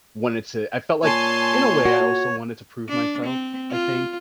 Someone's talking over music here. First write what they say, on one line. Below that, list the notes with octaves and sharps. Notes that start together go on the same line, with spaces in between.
wanted to I felt like, i in a way, I also wanted to prove myself, I think.
A#2 C#5 G#5 A5 C6
F#4
D4
C4
F4